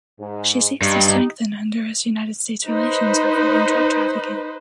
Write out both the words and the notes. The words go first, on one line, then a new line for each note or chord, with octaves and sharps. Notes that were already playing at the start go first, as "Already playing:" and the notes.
She seeks to strengthen Honduras–United States relations by fighting drug trafficking.
G#2
G2 D#4 G4
D#4 B4 C5